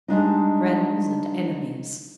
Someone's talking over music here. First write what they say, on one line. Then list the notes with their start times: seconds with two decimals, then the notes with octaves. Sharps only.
"Friends and enemies!"
0.08 G3 G#3 D4 D#4